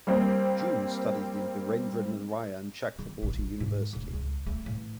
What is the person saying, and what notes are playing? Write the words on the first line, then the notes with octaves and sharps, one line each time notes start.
Joon studied in Birendra Narayan Chakraborty University.
G3 A#3 C4
D#3
A1
F4
G#2
D1
C#2
A3
A1